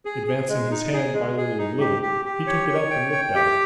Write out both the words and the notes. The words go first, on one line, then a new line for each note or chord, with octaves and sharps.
Advancing his hand by little and little, he took it up and looked at it.
G#4
G#4
G#3
D#4
G#4
G#3
G#4
D#4
G4
G4
G4
C#5
C#5
G5
G5
G4